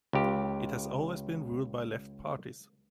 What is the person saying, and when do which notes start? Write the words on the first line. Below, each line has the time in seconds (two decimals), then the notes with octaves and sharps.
It has been always ruled by left parties.
0.13 C#2 G4